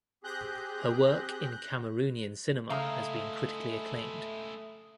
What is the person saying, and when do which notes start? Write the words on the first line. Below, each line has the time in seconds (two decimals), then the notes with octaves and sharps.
Her work in Cameroonian cinema has been critically acclaimed.
0.24 C4 G4 G#4 F#6 G6 A#6
2.70 C#3 G#3 A3 E4 E5 F5 A#5 D#6